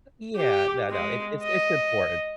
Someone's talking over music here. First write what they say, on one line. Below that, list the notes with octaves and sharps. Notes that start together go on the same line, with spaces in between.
Yeah, no, no, it's it's it's important.
G4
G#3
D#5